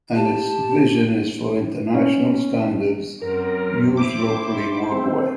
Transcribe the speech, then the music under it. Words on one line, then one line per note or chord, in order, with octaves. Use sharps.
And its vision is for ‘international standards used locally worldwide’.
G4 A5
C#4
F#2 C4 A#4
E4 C5 D6
C4